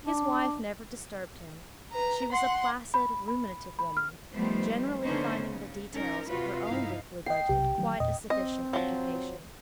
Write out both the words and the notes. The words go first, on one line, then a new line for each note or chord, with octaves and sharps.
His wife never disturbed him; she was a placid, ruminative woman, generally finding the details of her own weekly budget quite a sufficient occupation.
D4
B4 A#5
F#5 C6
B5
B5
B5
F6
D#3 F3 G3 A3 B3 C5
D3 A#3 B3 C#4 D#4 C5
C#3
C#4 D#4 A#4
C3 F4 F#4 B4
G2 D#4 E4 F5
D#5 G5 C7
B1 C3 G4
D#3 F#3 A3
E2 A#2 D#5
C4 D#5
F3 F#3